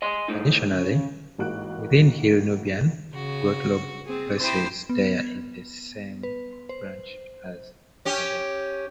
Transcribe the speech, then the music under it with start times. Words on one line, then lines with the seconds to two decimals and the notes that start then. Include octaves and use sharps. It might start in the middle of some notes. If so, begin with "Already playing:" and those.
Additionally, within Hill Nubian, Glottolog places Dair in the same branch as Kadaru.
0.02 D#5 G#5 C6
0.28 A2 D#4
0.71 C#3
1.38 A1 G#2 A#3 F#4 F#6 D7
3.14 C#3 F#4
4.06 C4 G#4
4.40 E4 G4 C5
4.89 B3
6.23 B4
6.69 C5
8.05 C#4 G4